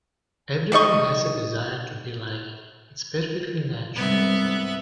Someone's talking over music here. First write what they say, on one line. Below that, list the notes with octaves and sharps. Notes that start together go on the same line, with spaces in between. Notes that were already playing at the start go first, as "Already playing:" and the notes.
Everyone has a desire to be liked, it's perfectly natural.
G3 D#4 D#5 C#6
C2 G#2 B3 E5